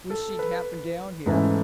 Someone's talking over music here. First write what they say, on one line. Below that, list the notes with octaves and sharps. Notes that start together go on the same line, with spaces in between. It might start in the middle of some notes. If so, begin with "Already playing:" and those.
Wish she'd happen down here.
A4
B4
G#2 E3 A3 C#4 E4